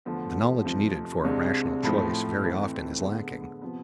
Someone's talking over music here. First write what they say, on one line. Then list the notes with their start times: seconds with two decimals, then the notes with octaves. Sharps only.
The knowledge needed for a rational choice very often is lacking.
0.05 E2 D3 F3 A3
0.65 F2 C3 F3 A3
1.24 C2 C3 G#3 D4
1.83 A2 F3 A3 C4
2.43 F2 E3 A3 C4
3.02 D3 G#3 B3
3.62 C3 F3 B3